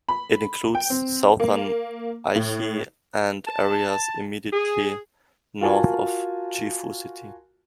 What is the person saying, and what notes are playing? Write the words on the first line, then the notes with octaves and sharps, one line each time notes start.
It includes southern Aichi and areas immediately north of Gifu City.
B5
G5
C4
A#3
A2
A5
G#4
F4 F#4 A#4 G#5 A5